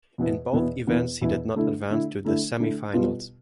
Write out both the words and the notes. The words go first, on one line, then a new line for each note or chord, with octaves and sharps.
In both events he did not advance to the semifinals.
E2 B2 B3 E4
E2 B2 B3 E4
E2 B2 B3 E4
E2 B2 B3 E4
D3 A3 E4
D3 A3 E4
D3 A3 E4
D3 A3 E4
B2 G3 B3 F4